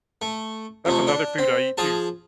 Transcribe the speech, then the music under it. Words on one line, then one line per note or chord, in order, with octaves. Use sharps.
That's another food I eat too.
A3
F2 C3 A3
D4
C4
F3 G#4 A5